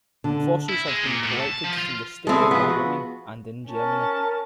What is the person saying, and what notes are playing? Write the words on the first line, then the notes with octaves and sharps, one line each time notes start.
Fossils have been collected from the state of Wyoming and in Germany.
D3
E4
G#3
A#2
A2
A5
F3
F4
G#3 C4 E4 G#4 A4
F3 B3 B4
F#4
C#4 A#4 A5